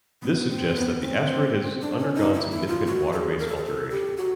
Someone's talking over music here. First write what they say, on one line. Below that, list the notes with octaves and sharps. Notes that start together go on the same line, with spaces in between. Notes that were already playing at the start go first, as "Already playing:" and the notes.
This suggests that the asteroid has undergone significant water-based alteration.
B3
C4
B3
C4
D4
C#4
D#4
E4
E4
F4
F#4
A4
G#4
A#4
A4
G#4
A4
G4
F#4